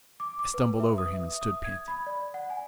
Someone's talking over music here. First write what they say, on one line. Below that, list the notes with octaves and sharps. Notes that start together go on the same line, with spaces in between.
I stumbled over him and stood panting.
D6
D6
B4
E5
D#6
E5
D#6
G#6
B5
D5
F#5
G#5